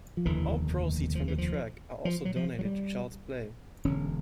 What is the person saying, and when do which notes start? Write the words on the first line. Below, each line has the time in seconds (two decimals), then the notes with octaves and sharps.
All proceeds from the track are also donated to Child's Play.
0.17 F3
0.25 F1 D#2 D3 E3
1.15 F3
1.28 E3
1.38 F3
2.05 F3
2.25 F#3
2.36 F3
2.59 F#3
2.65 G3
3.84 E1 D2 D3 C#4